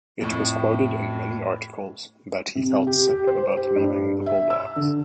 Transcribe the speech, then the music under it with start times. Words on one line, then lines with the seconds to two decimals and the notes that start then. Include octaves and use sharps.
It was quoted in many articles that he "felt sick" about leaving the Bulldogs.
0.21 F2 A2
2.55 C3
2.87 G4
3.07 G4
3.27 C5
3.57 G4
3.76 G2
4.26 E5
4.50 E6
4.76 D3